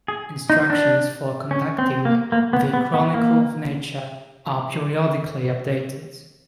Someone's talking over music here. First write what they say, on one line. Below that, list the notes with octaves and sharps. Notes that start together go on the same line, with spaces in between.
Instructions for conducting the Chronicle of Nature are periodically updated.
G#4
D#4
D4
C#4
C4
A#3
A#3
B3
B3
B3
A#3